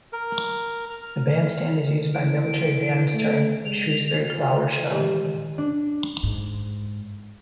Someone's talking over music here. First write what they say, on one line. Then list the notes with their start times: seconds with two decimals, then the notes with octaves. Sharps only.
The bandstand is used by military bands during Shrewsbury Flower Show.
0.13 A#4
0.90 F6
2.14 E3 D7
3.13 A3
3.65 G#3 F7
4.29 F4 A6
4.90 A#2 D#3 E3 G#3 G4
5.58 D4
6.23 G#2